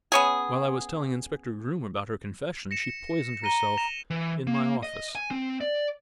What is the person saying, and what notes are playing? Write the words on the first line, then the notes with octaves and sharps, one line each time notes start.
While I was telling Inspector Groom about her confession, she poisoned herself in my office.
B3 C#4 G#4
A#6 C#7 E7
A#5 A#6 D#7 G7
A#6 E7 F7
E3
A#3
D#5
G#5
C4
D5